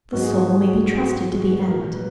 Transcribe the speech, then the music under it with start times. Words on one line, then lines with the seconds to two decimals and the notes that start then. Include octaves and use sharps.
The soul may be trusted to the end.
0.13 G#2 F#3 F#4
0.22 G#4
0.30 F#4
0.39 G#4
0.49 F#4
0.57 G#4
0.67 F#4
0.75 G#4
0.84 F#4
0.94 G#4
1.02 F#4
1.12 G#4
1.20 F#4
1.29 G#4
1.38 F#4
1.61 B4
1.67 A#2 F#3 A#4
1.94 B4